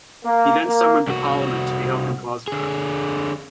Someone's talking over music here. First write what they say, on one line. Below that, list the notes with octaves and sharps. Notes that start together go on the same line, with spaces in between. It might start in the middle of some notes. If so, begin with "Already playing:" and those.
He then summoned a Parliament to be held in Glasgow.
A#3
A#3
C2 F#4
D3 G#4